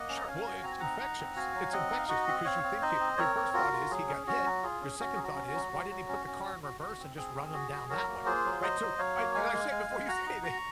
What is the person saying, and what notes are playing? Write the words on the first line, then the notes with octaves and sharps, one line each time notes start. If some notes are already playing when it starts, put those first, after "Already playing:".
Sure. Well, i it's infectious. It's infectious because you think to your first thought is, "He got hit." Your second thought is, "Why didn't he put the car in reverse and just run 'em down that way?" Right? So I and I say before you say that
Already playing: A#3 D#5 F#5
C#4
A#5
C#4 F5 G#5
F#4
C4 A#5
G#5
D#4 F#5 A#5
D#4
C4
F#4 F5 G#5
F#3
C4 D#5 F#5
D#4
F5
F#4 D#5 F#5
C4
C4 C#5 F5
C4
D#4 C5 D#5
C4
C4 A#4 C#5
C4
F4 F#4 A#4
F4
F#3 G#4
C#4
C#4 F#4
F#3
F4 G#4
C#4
C#4 F#4
F#3 G#4
F#4
C#4
F#4
F#3
F#3
F#3
C#4
C#4
F#4
F#4
F#4
C4
C4 G#4
C4
F#4
F#4
F#3 F#4 A#4
A#3
F4 G#4 C5
F#3
F#3 C5 D#5
F#3
F#3 C#5 F5
A#3
G#3 F5 G#5
G#3
G#3
G#3
F#4 F#5 A#5
D#4
F#4 A#5 C#6